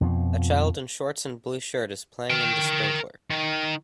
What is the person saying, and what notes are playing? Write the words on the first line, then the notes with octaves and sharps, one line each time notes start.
A child in shorts and blue shirt is playing in the sprinkler.
F2 B2 F3
A#4 G5
D#3